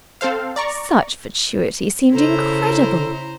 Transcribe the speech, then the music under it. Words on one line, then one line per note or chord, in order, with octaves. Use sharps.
Such fatuity seemed incredible.
C4 A4 C5 F5
D5 A#5 C#6
C#3 E4 A4 C5 A#5